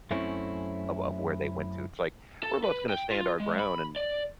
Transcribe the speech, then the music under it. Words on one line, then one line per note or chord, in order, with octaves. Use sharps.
"of of where they went to." It's like, we're both gonna stand our ground and,
F#2 A3 C4 C#4 E4
A4
B4
G5
F4
G#3
B5
D5